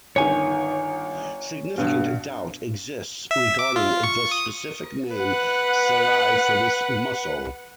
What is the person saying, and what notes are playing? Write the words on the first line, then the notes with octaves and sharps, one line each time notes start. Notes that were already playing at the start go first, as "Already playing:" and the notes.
Significant doubt exists regarding the specific name "sallei" for this mussel.
G1 D#3 C#5 G#5
G2 B2
E5
D6
F4
C#6
D#6
B4 F#5